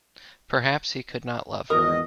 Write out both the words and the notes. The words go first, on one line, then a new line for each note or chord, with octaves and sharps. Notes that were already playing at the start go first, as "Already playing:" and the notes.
Perhaps he could not love her.
G#1 E2 A#4 D#5 D#6